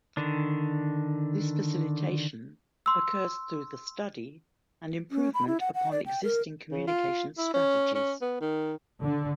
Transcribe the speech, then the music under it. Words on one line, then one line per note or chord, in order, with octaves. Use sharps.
This facilitation occurs through the study and improvement upon existing communications strategies.
D3 D#3 D4
C6 E6
C#4
B5
E4
F#5
F#5
D5
G5
A#4
C#3
F4
E4
C#4
C#4
B3
D#3
D3